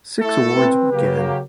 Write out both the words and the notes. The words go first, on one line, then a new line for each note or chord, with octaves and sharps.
Six awards were given.
A3 E4 A4
C4 B4
C#3 F#3 A#3 G4